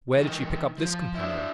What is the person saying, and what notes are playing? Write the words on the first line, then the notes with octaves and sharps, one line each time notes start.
Where did she pick up this companion?
E3 D#4
F3
D4 E4